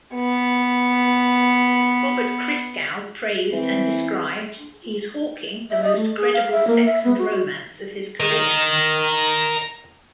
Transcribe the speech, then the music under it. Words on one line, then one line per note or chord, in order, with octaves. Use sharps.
Robert Christgau praised and described: he's hawking the most credible sex-and-romance of his career.
B3 C#7
E3 C4
E5
D#5
A3
G#4
F5
E5
A#3
E5
B3
F#4
A#4 D#5